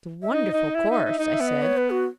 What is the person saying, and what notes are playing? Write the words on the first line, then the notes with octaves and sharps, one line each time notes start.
"It's a wonderful course," I said.
E5
D#4 D#5
D#4
E4 E5
D#4
D#4
D#4 D#5
E5
B3
D#5
C#5
B4
F#4